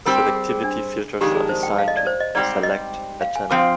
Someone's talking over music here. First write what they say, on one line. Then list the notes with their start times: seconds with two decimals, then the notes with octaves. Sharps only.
Selectivity filters are designed to "select" a channel.
0.06 G3 C4 G4 A#4 C5
0.21 G#4
0.35 G#4
0.49 G#4
0.64 D4
1.21 F2 D#3 G#3 D4 G4
1.35 G#4
1.49 C5
1.63 G5
1.78 F5
1.88 D#5
1.97 D5
2.07 C5
2.20 D#5
2.35 G#2 G3 C4 G4 C5 D5
2.63 D#5
3.21 F5
3.36 G#5
3.50 F3 C4 F4 C5 D6